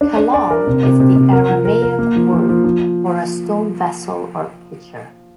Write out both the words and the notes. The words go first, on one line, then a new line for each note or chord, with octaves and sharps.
"Kallal" is the Aramaic word for a stone vessel or pitcher.
D4
D4
D5
A#4
C3
C3
C3
C3
A#4
F3
A#4
A#4
A#3
F3
F3
F3
F3